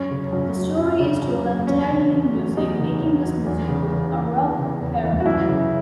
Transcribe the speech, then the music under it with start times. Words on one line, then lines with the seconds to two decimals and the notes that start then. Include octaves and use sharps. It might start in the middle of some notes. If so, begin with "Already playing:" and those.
The story is told entirely in music, making this musical a rock opera.
Already playing: F#2 C#4
0.11 C#3
0.33 F#2
0.56 F#3
0.77 F#2
0.99 C#3
1.22 F#2
1.45 F#3
1.67 E2 C#4
1.89 C#3
2.12 E2
2.35 F#3
2.57 E2 D#4
2.79 C#3
3.01 E2
3.24 F#3
3.46 E2
3.69 C#3
3.92 E2
4.14 E3
4.36 E2
4.58 C#3
4.81 E2
5.04 E3
5.20 F#4
5.25 F#2 E4
5.49 C#3